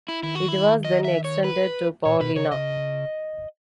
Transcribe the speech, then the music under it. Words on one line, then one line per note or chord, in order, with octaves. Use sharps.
It was then extended to Paulina.
E4
D#3 E4
F#4
E4
D#5
E5
C#5
B4
A#2 C#5
B2 B4
C#3 C#5
C#3 D#5